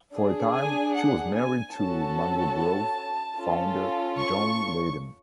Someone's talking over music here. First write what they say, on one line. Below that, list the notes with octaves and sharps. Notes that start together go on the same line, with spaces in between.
For a time she was married to Mango Groove founder John Leyden.
D4 G#4
G#5
F#5
G#5
C#4 F#4 A4 A5
C#4 F4 A4
C#6